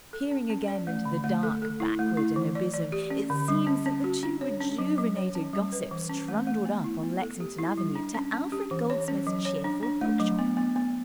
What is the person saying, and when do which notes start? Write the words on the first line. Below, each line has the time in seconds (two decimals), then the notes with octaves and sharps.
Peering again into the dark backward and abysm, it seems that the two rejuvenated gossips trundled up on Lexington Avenue to Alfred Goldsmith's cheerful bookshop.
0.13 A4
0.31 C#4
0.50 C#4
0.68 D5
0.87 A3
1.05 D3
1.24 A3
1.43 A4
1.62 A4
1.80 E4
1.99 A3
2.17 E4
2.36 E3
2.55 D5
2.74 D5
2.92 G4
3.10 C#4
3.30 D3
3.48 G3
3.67 C#4
3.86 C#4
4.04 F#4
4.23 D4
4.41 C#5
4.61 C#4
4.78 F#3
4.98 F#3
5.16 C#5
5.35 C#4
5.53 G3
5.72 B4
5.91 E3
6.10 C#4
6.28 A3
6.47 A3
6.65 B3
6.84 E4
7.03 B3
7.22 A4
7.40 G4
7.58 E4
7.78 G3
7.96 D4
8.15 C#4
8.34 C#4
8.52 G4
8.71 E3
8.90 C#5
9.08 C#4
9.27 F#3
9.45 C#5
9.64 D4
9.83 D4
10.01 A3
10.20 F#3
10.39 B3
10.57 B3
10.76 B3